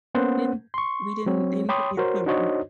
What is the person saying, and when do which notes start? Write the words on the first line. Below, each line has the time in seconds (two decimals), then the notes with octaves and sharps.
didn't we didn't they didn't put me in swimming.
0.15 A#3 B3 C#4 C5 F#5
0.74 C6 C#6
1.26 F#3 C4 C#5
1.69 C#5 G5 B5 C6 D6 D#6
1.97 F#4 A#4 C5 C#5
2.26 D4 D#4 F#4 C5 C#5 D#5